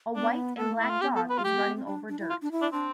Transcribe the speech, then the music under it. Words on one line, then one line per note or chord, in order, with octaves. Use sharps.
A white and black dog is running over dirt.
B3 D4
A3 A4
E4
F4
B3 G4
A4
B4
F4
A3 G4
B3
B3
C4
D4
D4
E4
F4
D4
E4
D4
C4 D4